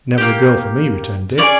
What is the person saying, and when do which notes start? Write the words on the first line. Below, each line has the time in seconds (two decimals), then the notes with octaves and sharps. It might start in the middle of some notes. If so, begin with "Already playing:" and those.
"Never a girl for me," returned Dick.
0.18 A#3 D4 G4
1.38 C#4 E4 D5
1.42 G#4